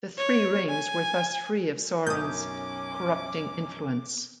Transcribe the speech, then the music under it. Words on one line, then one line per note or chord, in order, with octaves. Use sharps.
The Three Rings were thus free of Sauron's corrupting influence.
C#5
G#5
B1 F#2 C#4 D6 D#6 G6